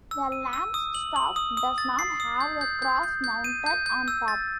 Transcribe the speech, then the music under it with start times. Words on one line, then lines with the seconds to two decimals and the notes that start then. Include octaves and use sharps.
The lamb's staff does not have the cross mounted on top.
0.11 E6
0.32 D#7
0.53 E6
0.74 D#6
0.95 F#7
1.16 F#7
1.36 D#6
1.57 D#6
1.78 A6
1.99 C7
2.20 D#6
2.41 G6
2.61 G6
2.82 G6
3.03 G6
3.24 G6
3.44 D#7
3.66 G6
3.86 G6
4.08 E6
4.28 A6